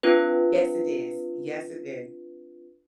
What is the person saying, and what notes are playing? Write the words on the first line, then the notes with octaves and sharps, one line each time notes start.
Yes, it is. Yes, it is.
C4 D4 F4 B4